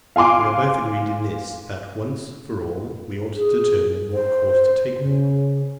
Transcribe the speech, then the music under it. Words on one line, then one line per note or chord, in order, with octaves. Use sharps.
We are both agreed in this, that, once for all, we ought to determine what course to take with him.
F5 G#5 C6 D6
G#4
C5
C#3